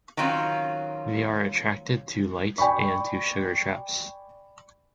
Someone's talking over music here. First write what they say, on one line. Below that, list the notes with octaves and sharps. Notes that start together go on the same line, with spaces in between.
They are attracted to light and to sugar traps.
D#3 F#3 C4 C#4 F4
D5 G5 G#5 B5 C#6